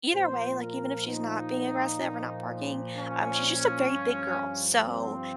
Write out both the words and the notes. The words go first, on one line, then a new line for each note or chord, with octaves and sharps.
Either way, like, even if she's not being aggressive, or not barking, um, she's just a very big girl, so
A#2 F3 C5
A#4
D#4
A#2 F3
C#4
G2 F3
C4